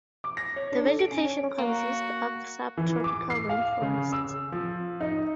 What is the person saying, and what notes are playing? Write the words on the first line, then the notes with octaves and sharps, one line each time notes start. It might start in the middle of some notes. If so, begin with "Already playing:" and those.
The vegetation consists of subtropical rainforest.
D6
A#6
C#5
D4
A4
D7
C#4
C#5
A#3 F#4
E3
D6
C7
F5
C#3
E6
F3
D#4